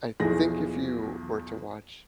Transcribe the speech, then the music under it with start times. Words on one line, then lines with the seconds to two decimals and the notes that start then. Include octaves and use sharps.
I think if you were to watch,
0.20 B1 E2 E3 F3 G#4 A#6